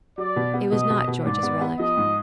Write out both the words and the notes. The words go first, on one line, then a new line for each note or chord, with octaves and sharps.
It was not George's relic.
F#3 D5
B2
B3
B2 D#5
B2
B2
G#2 D5
B3
B3
F3 D#5
G#2